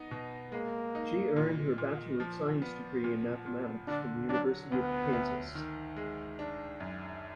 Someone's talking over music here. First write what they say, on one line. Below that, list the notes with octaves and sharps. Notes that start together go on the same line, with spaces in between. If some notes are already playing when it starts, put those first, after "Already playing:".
She earned her Bachelor of Science degree in Mathematics from the University of Kansas.
Already playing: B3 D#4
B2
G#3 A#3
D#4
A#2
A#2
F3
B3
A#2
A#2
D3 D4
F#3 D4
D2 B3
D2
D#3
G#3
D4
F#2